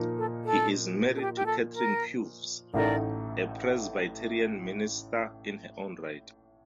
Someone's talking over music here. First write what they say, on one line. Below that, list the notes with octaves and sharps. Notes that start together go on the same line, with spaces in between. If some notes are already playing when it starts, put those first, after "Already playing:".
He is married to Catherine Purves, a Presbyterian minister in her own right.
Already playing: A#2 F3 A#3 D#4
A4
A4
A4
G4
G4
A4
A#4
A1 A2 A3 D#4 A#4 D5